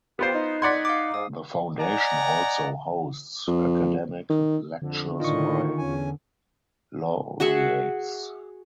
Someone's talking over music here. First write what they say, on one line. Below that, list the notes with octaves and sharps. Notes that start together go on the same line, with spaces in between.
The foundation also hosts academic lectures by laureates.
B3 F4 G4 C5
D#4
D5 F#5 C6 G#6 B6
F5 D6
G#2 D#6
D5 D#5 F#5 G#5 A#5
F2
D#3
F2 D3
A2 D#3 D4 F4 D#5 C#6
E2 C#4 G#5
F#4 G#4 E5 F#5